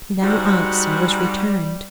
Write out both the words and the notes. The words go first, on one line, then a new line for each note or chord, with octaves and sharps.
No answer was returned.
G#2 G3 F#4